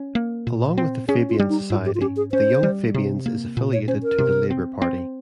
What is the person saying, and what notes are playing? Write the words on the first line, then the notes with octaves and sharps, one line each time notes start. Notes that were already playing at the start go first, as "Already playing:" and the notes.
Along with the Fabian Society the Young Fabians is affiliated to the Labour Party.
Already playing: C#4
A#3
A#2
C4
C#4 G#4
F4
G3
D#4
G#2 F4
G4
F4
C#4 G4
G#4
C#4 C5
G3
C3
A#3
A#2
C#5
C#4 C5
A#4
C3
C4
C4